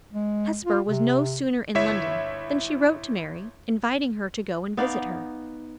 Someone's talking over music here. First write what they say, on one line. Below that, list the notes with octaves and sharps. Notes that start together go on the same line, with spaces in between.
Hesper was no sooner in London, than she wrote to Mary, inviting her to go and visit her.
G#3
F4
C3
G1 E4 C#5 E5 B6
B3 D#4 D5 F5